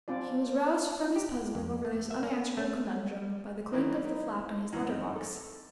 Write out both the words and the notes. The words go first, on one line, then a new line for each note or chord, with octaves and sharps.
He was roused from his puzzling over this unanswerable conundrum by the clink of the flap in his letter-box.
C4 D4 F4 D5
G4
F2
A3
E5
A#3
A3
D#3 F#3 A#3 C4 C#4 E4
D#4 E4
F#2 E3
C4 D#4
A4